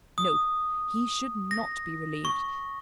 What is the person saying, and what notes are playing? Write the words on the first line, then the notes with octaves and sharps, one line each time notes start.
No! he should not be relieved.
D#6
A#6
C#6